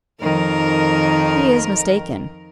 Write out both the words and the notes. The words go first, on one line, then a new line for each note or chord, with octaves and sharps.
He is mistaken.
F2 D#3 A#4